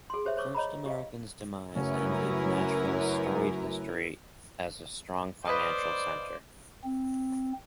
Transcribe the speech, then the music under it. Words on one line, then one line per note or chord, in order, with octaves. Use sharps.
First American's demise ended Nashville's storied history as a strong financial center.
G#4 C6
G4 C5 C#5 E5
C5 C#5 C#6 D6 E6
C#5 D#5 A#5 B5
G4 D#5 F5
F#2 C#3 F#3 A3 C#4 E4 A#4 B4
B4 C5 D5 D#5 F5
C4